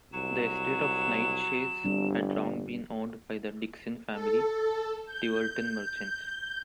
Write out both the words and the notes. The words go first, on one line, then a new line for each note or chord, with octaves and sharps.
The estate of Knightshayes had long been owned by the Dickinson family, Tiverton merchants.
C2 F#3 E7
G1 G3 C4 D4
A4
G6